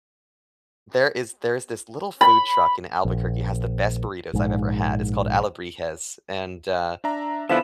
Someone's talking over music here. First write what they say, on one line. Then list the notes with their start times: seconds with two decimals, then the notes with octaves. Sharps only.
there is there's this little food truck in Albuquerque, it has the best burritos I've ever had, it's called Alebrijes, and, uh,
2.21 B5
3.05 A#1
4.33 A#1 G#2
7.04 D4 E5 A#5
7.49 D3 F3 B3 E4 F#6 E7